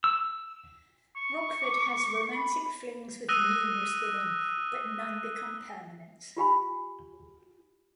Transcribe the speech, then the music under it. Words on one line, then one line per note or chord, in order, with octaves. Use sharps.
Rockford has romantic flings with numerous women, but none become permanent.
E6
C#6
D6
B5
D#6 E6 F#6 A#6 D#7 G7
F4 G4 G#5 B5